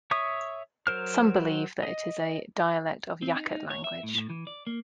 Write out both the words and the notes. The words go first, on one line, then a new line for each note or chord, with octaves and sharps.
Some believe that it is a dialect of Yakut language.
C#5 E5 C#6 D#6
F#3 A#4 C5 F6
D#5
C4
D#4
D#4
C#5
E5
A2
A2
E3
D5
A#3